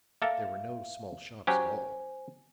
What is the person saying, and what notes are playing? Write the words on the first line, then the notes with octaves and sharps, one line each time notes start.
There were no small shops at all.
A#3 A4 A#4 E5 F5
F#3 C#4 G4 C5 G#5